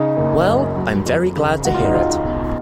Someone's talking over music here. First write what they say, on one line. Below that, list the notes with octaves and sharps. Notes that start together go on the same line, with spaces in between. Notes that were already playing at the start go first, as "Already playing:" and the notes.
Well, I'm very glad to hear it.
Already playing: C#3 D#4
F#1
F#2
F#3
F2
C#3
G#3 F#4
F4
D#4
C#2 F4
D#4
B2